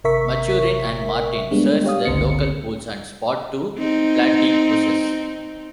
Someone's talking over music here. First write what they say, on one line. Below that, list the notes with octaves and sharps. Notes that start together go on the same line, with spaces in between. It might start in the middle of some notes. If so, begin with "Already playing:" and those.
Maturin and Martin search the local pools and spot two platypuses.
G#1 C3 A#4 E5 C#6 B6
G3 G#3 A#3 B3 D4
G4 C#5 F5 D#6
G1 C#2 D3 C4 C#7
C4 D#4